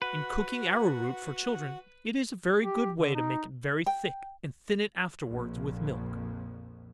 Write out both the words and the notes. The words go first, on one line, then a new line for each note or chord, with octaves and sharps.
In cooking arrow-root for children, it is a very good way to make it very thick, and thin it afterwards with milk.
F#4 B4 F#5
G4
D3
D#4
G5
A#1 F2